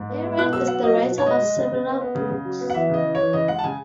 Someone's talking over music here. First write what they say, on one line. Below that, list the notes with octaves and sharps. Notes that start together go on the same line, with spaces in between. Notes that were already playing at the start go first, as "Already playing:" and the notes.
Aren is the writer of several books.
Already playing: G#2
B3
G#3
B2 F#6
F#3 E6
B3 F#5
F#3 D#5
B2
B2
C#5
G#3 D#5
G#3
C#3
C#3
B3
B3
C#3
C#3
F#3
B3
F#5
E3 E5
C#3 D#5
E3
E3 C#5
C#3 D#5
G#3 F#5
A5
C#3 G#5